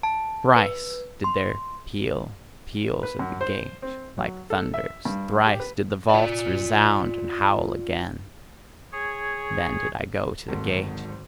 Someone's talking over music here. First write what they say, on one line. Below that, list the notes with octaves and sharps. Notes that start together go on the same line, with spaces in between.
Thrice did there peal peals at the gate like thunders, thrice did the vaults resound and howl again: then did I go to the gate.
A5
B4
C6
B4
F#2
C5
C4
F#3
A4
E5
G2
G4
B4
F4 D5
G#4 C#5
D1 G#1 G#2 D#3 C4 A4